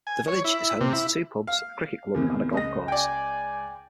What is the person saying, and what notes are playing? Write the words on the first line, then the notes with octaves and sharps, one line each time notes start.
The village is home to two pubs, a cricket club, and a golf course.
G#5
C#5
E4
C3
E4
F5
E2 C3 D#3
C#2 D#5 A#6
D5 G5 G#5